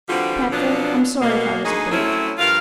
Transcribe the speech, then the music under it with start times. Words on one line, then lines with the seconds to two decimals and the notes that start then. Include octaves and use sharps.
'Panther, I'm sorry if I was a brute.'
0.08 D3 E3 G3 C4 F4 F#4
0.51 B2 F3 F#3 B3 D4
1.21 B2 A#3
1.64 D2 D#4 F#4 G#4
1.91 F#3 A3 C4 C#4 E4
2.38 G2 F3 F4 A#4 F5